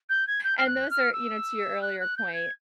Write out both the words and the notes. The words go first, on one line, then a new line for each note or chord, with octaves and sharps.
And those are, you know, to your earlier point,
G6
G#6
G6
F6
F#6
F6
E6
F#6
F#6
G6
G#6